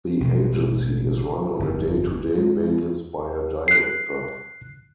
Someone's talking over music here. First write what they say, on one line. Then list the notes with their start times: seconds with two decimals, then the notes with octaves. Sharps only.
The agency is run on a day-to-day basis by a Director.
0.20 A1 B2 E3 G#3
1.59 G1 F2 B3 D4
2.38 G#3
3.68 F#6 C7